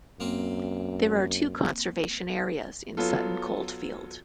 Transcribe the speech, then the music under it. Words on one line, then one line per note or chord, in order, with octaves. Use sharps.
There are two conservation areas in Sutton Coldfield.
F#2 A#3 C4
F#3 B3 F4 A4